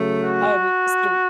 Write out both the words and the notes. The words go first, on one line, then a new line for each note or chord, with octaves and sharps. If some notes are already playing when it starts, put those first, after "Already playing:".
um, so
Already playing: C#3 F#3 A3
F#4